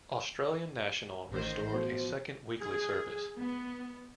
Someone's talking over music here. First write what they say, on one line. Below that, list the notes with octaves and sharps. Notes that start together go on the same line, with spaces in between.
Australian National restored a second weekly service.
A1 D#3 C5
B2 F3 C5
G#4
B3